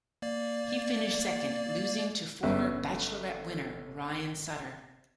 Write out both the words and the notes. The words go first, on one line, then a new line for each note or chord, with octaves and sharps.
He finished second, losing to former "Bachelorette" winner Ryan Sutter.
A#3 D5
G1 C#4 B4 E5